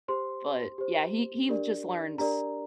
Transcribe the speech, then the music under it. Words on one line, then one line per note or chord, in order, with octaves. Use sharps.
but, yeah, he he just learns
G4 C5 C6
G4 C5
D4 G4 A#4 D5
D4 G4 A#4 D5 A#5